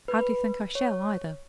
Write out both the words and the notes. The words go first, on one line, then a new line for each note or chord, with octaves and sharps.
Hardly think I shall, either.
B4
C#5